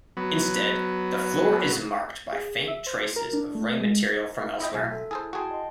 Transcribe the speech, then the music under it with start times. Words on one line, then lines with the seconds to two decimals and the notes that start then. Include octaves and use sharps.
Instead, the floor is marked by faint traces of ray material from elsewhere.
0.17 F#3 B3
2.32 G#4
2.68 E5
2.87 C5
3.16 A#4
3.33 D4
3.55 A3
3.81 G#3
4.60 E4 F4 D#5 E5 G5
4.74 B1 G#5
4.92 A4
5.11 E4 G#4 A4 C5
5.33 F#4 G#4 G5 A5 C6
5.51 D#5 A5 C6